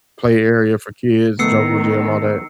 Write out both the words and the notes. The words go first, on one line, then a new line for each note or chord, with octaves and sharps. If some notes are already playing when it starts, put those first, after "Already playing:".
play area for kids, jungle gym, all that.
D#3 A3 B3 E6 C7 C#7